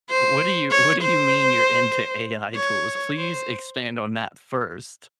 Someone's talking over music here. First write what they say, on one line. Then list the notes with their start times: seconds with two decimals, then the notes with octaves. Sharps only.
What do you what do you mean you’re into AI tools? Please expand on that first.
0.09 C5
0.71 C#5
1.02 C5
2.56 C#5
3.18 C5